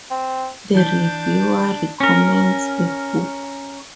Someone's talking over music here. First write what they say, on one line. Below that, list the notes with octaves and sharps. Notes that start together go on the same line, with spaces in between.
The reviewer recommends the book.
C4
E3 D4 G6
C#4 A#4